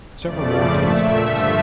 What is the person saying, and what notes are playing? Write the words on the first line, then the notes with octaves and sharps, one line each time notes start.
Several more days passed.
F2 C#3 F3 A3 D5
A#2 A3 E5
G2 D3 F3 A3